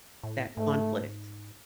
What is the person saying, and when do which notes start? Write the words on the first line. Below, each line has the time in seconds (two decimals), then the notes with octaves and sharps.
that conflict.
0.23 A2
0.57 G#2 A3